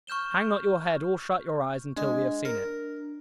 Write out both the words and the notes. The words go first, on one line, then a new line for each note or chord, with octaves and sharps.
Hang not your head or shut your eyes until we have seen it.
C#6 F6 G6 E7 G7
G#3 D4
A#4